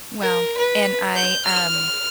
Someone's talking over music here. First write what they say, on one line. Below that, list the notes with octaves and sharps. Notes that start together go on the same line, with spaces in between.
Well and I, um
A#4
B4
G6
F6